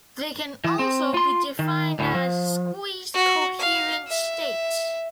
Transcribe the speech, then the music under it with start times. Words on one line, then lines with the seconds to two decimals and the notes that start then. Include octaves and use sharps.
They can also be defined as squeezed coherent states.
0.64 E3
0.79 C4
1.14 F4 C6
1.59 D#3
1.99 D2 A2
2.15 F3
3.14 F#4
3.59 F5
4.07 E5